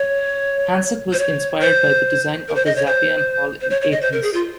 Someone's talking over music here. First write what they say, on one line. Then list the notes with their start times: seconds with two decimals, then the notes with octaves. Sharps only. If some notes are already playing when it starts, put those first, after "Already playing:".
Hansen was inspired by the design of the Zappeion hall in Athens.
Already playing: C#5
1.13 C5
1.19 C#5
1.61 C5
2.48 A#4
2.55 C5
2.66 D#5
2.76 C#5
2.87 C5
3.61 C5
3.70 C#5
3.81 C#5
3.92 D#5
4.02 C5
4.13 A#4
4.23 G#4
4.33 F4